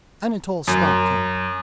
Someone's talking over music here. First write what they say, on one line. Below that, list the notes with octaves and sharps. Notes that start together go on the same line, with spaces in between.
Anatole stopped him.
F#2